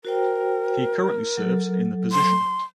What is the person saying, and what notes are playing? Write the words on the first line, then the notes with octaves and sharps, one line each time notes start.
He currently serves in the position.
F#4 A#4 C5 G5
F#3 A4
C6